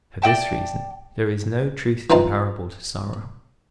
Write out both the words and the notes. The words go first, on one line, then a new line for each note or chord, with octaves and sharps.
For this reason there is no truth comparable to sorrow.
D5 D#5 G5 A5
E3 C4 D#4 F4 A5